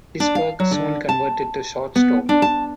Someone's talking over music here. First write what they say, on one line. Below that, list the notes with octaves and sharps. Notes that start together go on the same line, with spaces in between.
Risberg soon converted to shortstop.
D4
F5
F#3
D3
A5
B3
D4
A5